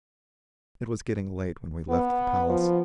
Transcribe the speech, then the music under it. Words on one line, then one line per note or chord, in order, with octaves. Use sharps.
It was getting late when we left the Palace.
B3
F3